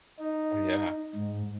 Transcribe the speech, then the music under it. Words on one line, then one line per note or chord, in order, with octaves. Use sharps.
Oh yeah.
D#4
G#2